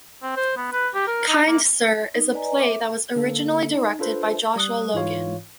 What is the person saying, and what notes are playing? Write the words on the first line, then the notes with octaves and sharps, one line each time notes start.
Kind Sir is a play that was originally directed by Joshua Logan.
C4
C5
B3
B4
G4
A#4
D#4
A#3
D#4
B4 D5 D#5 G#5 A#5
E5 D6
D3 A#3 A4
D#4
D4 F4 A4 B4 C5
G3 D#6 F#6
G#2 E3 F4 C#5 F5